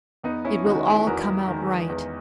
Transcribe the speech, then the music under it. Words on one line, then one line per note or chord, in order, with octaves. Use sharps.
It will all come out right.
E2 B3 D#4
C#4 E4
D#3 G#3 D#4 F#4
E4 G#4
E2 F#4 A#4
D#3 G#3
E2